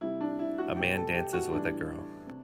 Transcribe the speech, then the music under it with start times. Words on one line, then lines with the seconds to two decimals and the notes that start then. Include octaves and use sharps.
A man dances with a girl.
0.01 C3 G3 E4
0.21 D4
0.39 E4
0.58 F#4
0.76 B2 G3 G4
0.95 A4
1.14 G4
1.33 F#4
1.52 A2 E3 G3 D4
2.27 C3